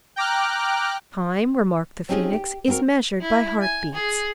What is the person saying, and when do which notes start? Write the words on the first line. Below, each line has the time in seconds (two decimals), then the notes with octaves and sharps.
'Time,' remarked the Phoenix, 'is measured by heartbeats.
0.16 G5 A#5 D6 F6 F#6
2.09 C4 C#4 D#4 F4 G4 G#4
2.33 G4
2.68 C4 F#4 G#4 A#4
3.22 E4
3.61 G#5
3.94 G#4